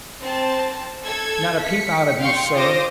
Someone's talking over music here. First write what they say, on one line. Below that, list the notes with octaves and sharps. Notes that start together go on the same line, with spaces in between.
Not a peep out of you, sir.
C4 A5
A4 E6 G#6
B6 C#7
F5 G5 C6 C#6
F4 C5 D6 D#6 A#6